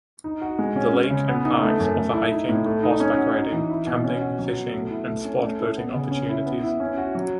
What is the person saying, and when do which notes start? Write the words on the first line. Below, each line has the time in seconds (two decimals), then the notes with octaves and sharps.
The lake and parks offer hiking, horseback riding, camping, fishing, and sport boating opportunities.
0.24 D#4
0.42 F#4
0.59 G#3
0.76 C#4
0.93 C#4
1.10 C#3
1.28 B3
1.45 D#4
1.62 A3
1.80 F#2
1.96 A3
2.14 E4
2.31 D#4
2.49 A2
2.66 A3
2.83 D#4
3.00 C#4
3.17 F#4
3.35 D#4
3.52 E3
3.70 E4
3.87 B2
4.04 C#4
4.21 F#4
4.39 F#3
4.56 B3
4.73 A3
4.90 E4
5.07 A3
5.25 C#4
5.42 A3
5.60 E4
5.77 B3
5.94 C#3
6.11 C#4
6.29 E4
6.46 B3
6.63 E4
6.80 C#4
6.98 F#4
7.15 F#3